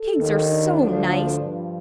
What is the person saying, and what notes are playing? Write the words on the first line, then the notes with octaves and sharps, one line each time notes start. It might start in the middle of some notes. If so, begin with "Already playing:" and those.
"Pigs are so nice!"
Already playing: A4
D#2 D#3
D4
D2 D3 F3
G2 F3